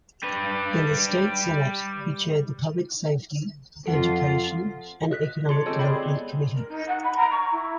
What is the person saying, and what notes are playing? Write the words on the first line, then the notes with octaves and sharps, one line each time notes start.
In the State Senate, he chaired the Public Safety, Education, and Economic Development committees.
G3 B4
F2 F4 A4 F#5
D#5 F#6 B6
A4 C#5 D5 C6 C#7
G#3 C4 G4 A4 C#5
G#4 C5 D5 G5 B5
B3
A#4
D#4
F#5
B5
A#5
C#6
E4